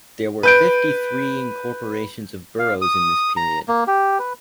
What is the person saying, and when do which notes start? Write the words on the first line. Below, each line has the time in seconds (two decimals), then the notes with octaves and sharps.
There were fifty-three incorporations of boroughs in this period.
0.43 B4 G6 D7
2.59 F5
2.82 D#6
3.37 A#5
3.68 A#3
3.87 G4
4.19 B4